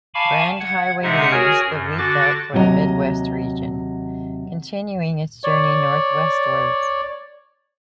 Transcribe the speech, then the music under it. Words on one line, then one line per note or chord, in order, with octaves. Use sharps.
Brand Highway leaves the Wheatbelt for the Mid West region, continuing its journey north-westwards.
F5 G#5 A5 B5 C#6 D6
F#5 G#6
C3 G#3 D#4 E5 F#5
F#4 G#4 A#4 C#5 G#5
F#2
D3 F#4 D6 F#6 A6
D#2 C3 F#3 A#4 D#5 A#5
C#5 D5